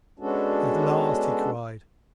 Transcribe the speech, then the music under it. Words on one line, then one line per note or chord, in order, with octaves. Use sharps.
"At last!" he cried.
G#3 B3 C#4 D4 F#4 A4